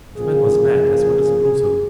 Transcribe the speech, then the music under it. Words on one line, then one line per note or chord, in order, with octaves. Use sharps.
"The man was mad as well as brutal."
C#3 F3 A#3 G#4